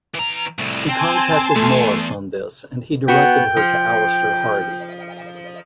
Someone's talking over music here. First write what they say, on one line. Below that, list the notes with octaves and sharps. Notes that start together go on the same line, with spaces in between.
She contacted Morris on this and he directed her to Alister Hardy.
E3 A#5
C2 A2
C4 G#5 A5 C6
E2 A3
B3 F#4 G5
F3